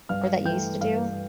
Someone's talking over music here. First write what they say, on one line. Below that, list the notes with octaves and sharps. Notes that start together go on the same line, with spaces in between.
Or that you used to do?
G2 F5 F6
E3 A3 G5 G6
G2 F5 F6